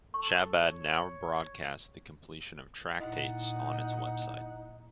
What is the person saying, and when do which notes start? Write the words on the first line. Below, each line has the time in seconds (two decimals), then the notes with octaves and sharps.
Chabad now broadcasts the completion of tractates on its website.
0.14 A4 C#6
0.64 C#5
3.00 A#2 D#4 E4 D#5 F#5